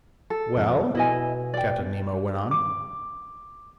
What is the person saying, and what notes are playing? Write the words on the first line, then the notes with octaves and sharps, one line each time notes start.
"Well?" Captain Nemo went on.
A4
F2
B2 E4 D#5 G#5
D5 G5
D6